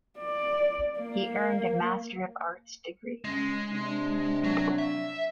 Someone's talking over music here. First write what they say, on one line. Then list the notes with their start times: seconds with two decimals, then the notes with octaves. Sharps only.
He earned a Master of Arts degree.
0.18 D5
0.98 A#3
3.25 C#3 G#3 C#4
3.71 C3 D4
4.44 F#3
4.79 E5